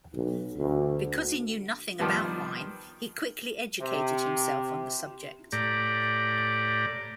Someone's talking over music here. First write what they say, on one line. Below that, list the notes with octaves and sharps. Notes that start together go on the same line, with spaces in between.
Because he knew nothing about wine, he quickly educated himself on the subject.
B1
D2
D#3 F3 G3 B3
C3
A2 G4 D5 A#5